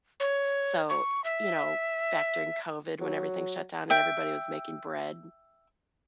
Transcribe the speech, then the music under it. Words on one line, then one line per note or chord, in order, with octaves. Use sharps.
So, you know, back during COVID when everything shut down and everybody was making bread.
C#5
C#6
E5
F#3
E5 G5